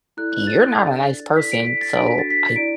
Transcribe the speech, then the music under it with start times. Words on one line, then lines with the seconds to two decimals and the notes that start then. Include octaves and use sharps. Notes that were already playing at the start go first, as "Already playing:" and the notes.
you're not a nice person, so I
0.17 E4 A4 D5 F#6
0.32 F#6
0.47 A6
0.77 D4 A4 D5
1.36 E4 A4 D5 B6
1.52 D7
1.66 B6
1.81 A6
1.96 D4 F#4 A4 D7
2.07 B6
2.19 A6
2.30 B6
2.56 E4 D5 D7